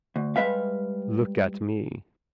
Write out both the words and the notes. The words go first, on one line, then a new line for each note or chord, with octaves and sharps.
Look at me.
D2
G3 G#3 B4 E5 F5